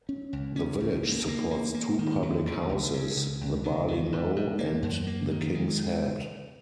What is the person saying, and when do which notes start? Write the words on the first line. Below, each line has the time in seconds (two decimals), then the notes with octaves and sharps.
The village supports two public houses, the Barley Mow and the Kings Head.
0.09 C#4
0.33 C#2
0.56 C#4
0.80 C#2
1.03 A#3
1.28 A#3
1.51 A#3
1.74 A#3
1.99 D#3
2.23 D#2
2.47 D#2
2.69 C#2
2.94 C#3
3.17 C#2
3.41 C#2
3.64 D#3
3.88 D#3
4.12 G#2
4.36 G#2
4.59 A#3
4.82 F#2
5.07 A#3
5.31 D#3
5.55 G#3